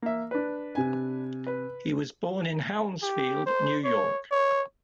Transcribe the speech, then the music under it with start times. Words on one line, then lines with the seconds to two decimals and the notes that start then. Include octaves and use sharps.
He was born in Hounsfield, New York.
0.02 A#3 E5
0.31 D4 B4
0.75 C3 G#5
1.47 B4
3.03 G4
3.46 C5
3.84 C#5
4.31 C#5